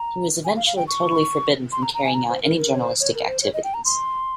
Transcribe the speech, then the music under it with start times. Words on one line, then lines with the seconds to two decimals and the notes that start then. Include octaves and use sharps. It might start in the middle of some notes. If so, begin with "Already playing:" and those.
He was eventually totally forbidden from carrying out any journalistic activities.
Already playing: A#5
0.45 G#5
0.56 F5
0.66 F5
0.76 G5
0.88 C#6
1.72 C6
1.82 A#5
1.94 A#5
2.05 G#5
2.14 A#5
2.29 C5
2.43 A#4
2.58 A#4
2.74 C#5
2.79 C5
3.01 C#5
3.15 A#4
3.28 C5
3.42 C#5
3.54 D#5
3.64 G5
3.74 A#5
3.85 C6